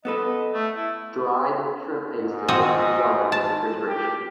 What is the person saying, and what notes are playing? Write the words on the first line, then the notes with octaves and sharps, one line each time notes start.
Dried shrimp paste does not require refrigeration.
B3 A4 B4 D#5
A3
E4
G#2
C4 F#4 D#5
A5
G4